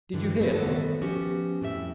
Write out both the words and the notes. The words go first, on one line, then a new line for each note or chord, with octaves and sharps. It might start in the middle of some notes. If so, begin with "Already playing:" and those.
Did you hear, love?
G2 D3 E3
F#3 A3 C4 G#4 B4
D#3 B3 F#4 A4
F3 B3 C#4 F#4 G4
F2 A2 F#4 E5